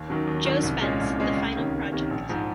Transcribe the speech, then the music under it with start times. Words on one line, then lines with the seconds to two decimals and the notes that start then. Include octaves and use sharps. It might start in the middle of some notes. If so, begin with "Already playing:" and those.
Jo Spence: The Final Project.
Already playing: D#2
0.08 D#3 F#3 C#4
0.27 D#2
0.45 D#3 F#3 C#4
0.63 C2
0.81 A#2 G#3 C#4
1.00 C2
1.18 A#2 G#3 C#4
1.36 C#2
1.55 C3 D#3 A#3 C#4
1.74 C#2
1.92 C3 D#3 A#3 C#4
2.10 A#1
2.29 G#2 F3